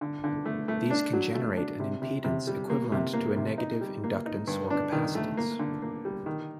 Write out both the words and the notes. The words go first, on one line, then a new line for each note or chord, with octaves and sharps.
These can generate an impedance equivalent to a negative inductance or capacitance.
D3
D3
A3
A3
D4
F#3
A3
D4
C3
C3
C3
G3
A#3
C3
A#3
C3
D#4
G3
A#3
D#4
G2
D4
D#3
A3
A#3
D3
A#3
G3
D#3